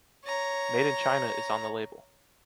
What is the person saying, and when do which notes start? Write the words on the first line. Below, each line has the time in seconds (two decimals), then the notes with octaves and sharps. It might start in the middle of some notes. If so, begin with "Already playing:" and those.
Made in China is on the label.
0.25 C#5 A#5